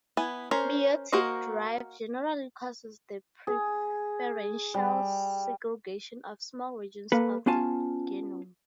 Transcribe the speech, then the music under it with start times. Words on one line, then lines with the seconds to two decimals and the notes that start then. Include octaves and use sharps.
Meiotic drive generally causes the preferential segregation of small regions of the genome.
0.17 B3 E4 G#5
0.51 C#4 A#4 C5
1.12 A#3 F#4 A#4 C5 D#5
3.47 G#4
4.74 G3
7.12 A#3 A4 B4
7.46 B3 C#4 F4 G#5 A5